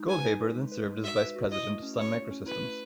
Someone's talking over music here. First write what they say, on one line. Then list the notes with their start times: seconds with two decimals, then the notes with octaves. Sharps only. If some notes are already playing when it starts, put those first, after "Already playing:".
Goldhaber then served as Vice President of Sun Microsystems.
Already playing: G#3 D#4
0.09 B4 G#5
0.25 D#4
0.41 B4
0.57 G#3
0.72 B4
0.89 G#3
1.04 F#4 E5
1.20 B4
1.36 F#4
1.51 E4 D#5
1.67 A3
1.82 C#4
1.99 A3 C#5
2.14 A3
2.31 C#4
2.46 E4 B4
2.63 A3